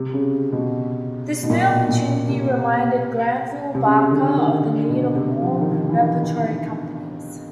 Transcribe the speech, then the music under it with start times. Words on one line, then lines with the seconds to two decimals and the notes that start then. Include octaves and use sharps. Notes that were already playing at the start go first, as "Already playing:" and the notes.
This new opportunity reminded Granville-Barker of the need for more repertory companies.
Already playing: C3
0.13 C#3
0.52 B2
1.43 B2
1.50 A#2
1.70 B2
1.89 A#2
2.29 C3
3.75 C3
3.85 C#3
4.11 D3
4.37 D#3
4.63 D3
4.89 B2
5.15 C3
5.42 F3
5.61 D#3
5.89 E3
6.01 D#3